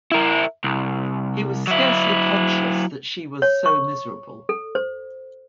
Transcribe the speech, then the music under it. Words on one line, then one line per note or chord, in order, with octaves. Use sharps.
He was scarcely conscious that she was so miserable.
E4 A#4
C2
F#3 E4
C#5
C#6
A4
C5